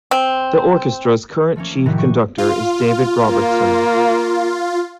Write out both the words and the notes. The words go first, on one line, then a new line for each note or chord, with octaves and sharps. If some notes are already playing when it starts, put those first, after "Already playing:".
The orchestra's current chief conductor is David Robertson.
C4
F3 A3 A#3 C#4
A2 C3 D#3 F#3 G3
C#6 D#7
F4
A#3